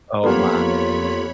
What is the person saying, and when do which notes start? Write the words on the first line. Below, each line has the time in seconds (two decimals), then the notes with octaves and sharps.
Oh my.
0.24 F2 A#3 B3 F4 G4 A4 C#5 B5